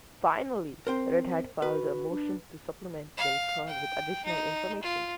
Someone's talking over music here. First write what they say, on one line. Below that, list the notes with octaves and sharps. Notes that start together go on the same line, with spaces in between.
Finally, Red Hat filed a motion to supplement the record with additional information.
C4 A#4 C5 G5
F#4 B4
D4
F5
G5
D#4
F4